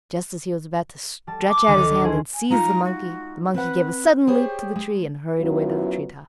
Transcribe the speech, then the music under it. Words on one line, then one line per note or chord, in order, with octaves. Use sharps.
Just as he was about to stretch out his hand and seize the monkey, the monkey gave a sudden leap to the tree and hurried away to the tree top.
G3 A5
D6
D2 D#3
E4 G#4 C5
G#5
G#3 D#4 F4 A#5
F#4
C4 B4 F#5
G4 G#4 C5 C#5
G#3
F#2 F#3 B3 E4 F4